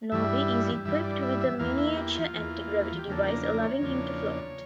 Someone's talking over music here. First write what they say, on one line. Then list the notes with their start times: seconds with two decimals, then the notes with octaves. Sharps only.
Norby is equipped with a miniature anti-gravity device allowing him to float.
0.12 G2 E3 G3 E5
0.85 G2 E3 G3 E5
1.04 D5
1.23 E5
1.41 E5
1.59 E2 E3 A#3 F5
1.78 E5
1.96 G4
2.15 F4
2.33 E2 E3 A#3
2.86 F4
2.99 G4
3.07 E2 C#3 F3 A#3 D4 A4
3.26 A#4
3.45 A#4
3.62 C#5
3.81 E2 C#3 F3 A#3 D4